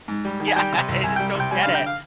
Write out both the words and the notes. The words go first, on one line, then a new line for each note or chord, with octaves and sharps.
Yeah, I just don't get it.
G#2
G3
D#3
G#5
G3 G5
C3
C2
C2 G#5
G3 G5
C3 G5
G3 G#5
F5
D3
G5
F5